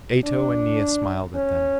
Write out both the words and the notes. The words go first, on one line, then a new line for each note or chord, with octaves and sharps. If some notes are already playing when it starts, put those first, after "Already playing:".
Ato and Nea smiled at them.
D4
C#4